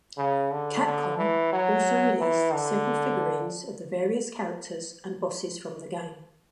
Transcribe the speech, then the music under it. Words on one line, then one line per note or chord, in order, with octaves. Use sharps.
Capcom also released several figurines of the various characters and bosses from the game.
C#3
D3
D3
E3
F#3
E3
D3